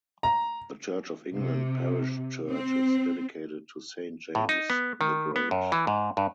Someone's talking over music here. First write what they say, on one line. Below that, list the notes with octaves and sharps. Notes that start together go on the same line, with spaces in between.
The Church of England parish church is dedicated to Saint James the Great.
A#5
C3
C4
A2
D#4
B3
D#3
B3
F#2
E3
G#2
G2